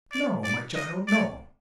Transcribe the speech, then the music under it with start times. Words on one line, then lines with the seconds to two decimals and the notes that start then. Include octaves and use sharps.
"No, my child, no!"
0.12 D5
0.44 D5
0.76 D#5
1.07 D5